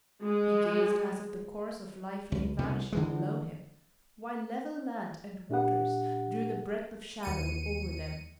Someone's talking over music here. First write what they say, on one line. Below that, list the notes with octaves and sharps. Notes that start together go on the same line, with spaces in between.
He gazed as if the course of life lay vanishing below him, while level land and waters drew the breadth of shadow over them.
G#3
C#2
C2 B2 D3
D3 E3 G#3
A#2 D4 G4 F#5
D#2 C#7 D#7